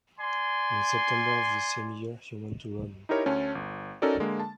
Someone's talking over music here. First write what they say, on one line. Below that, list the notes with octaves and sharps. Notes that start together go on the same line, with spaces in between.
In September of the same year he went to Rome.
D5 G#5 C6
D#4 E4 G4 A#4 C#5
D2 C#4 C#5 A5
G1
C#4 D#4 F#4 A4 A#4 D5
D3 G#3 A#3
A5